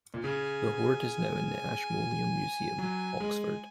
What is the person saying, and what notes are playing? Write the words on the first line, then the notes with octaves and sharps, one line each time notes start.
The hoard is now in the Ashmolean Museum, Oxford.
A#2
C#3 G#5
F#3
G#3